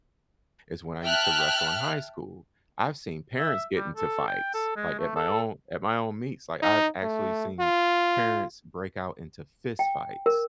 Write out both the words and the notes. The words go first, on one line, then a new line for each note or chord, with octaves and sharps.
is when I used to wrestle in high school. I've seen parents get into fights, like, at my own at my own meets. Like, I've actually seen parents break out into fist fights.
E5 G5 A5 F6 F#6
E5
G3
A4
G5
A4
G#3
A3
A4
D#4
A3
F4
G5
A#4